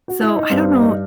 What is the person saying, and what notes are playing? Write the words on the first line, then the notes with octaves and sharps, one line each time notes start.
So I don't know
F#4
E4
D#4
G2 C4
D#4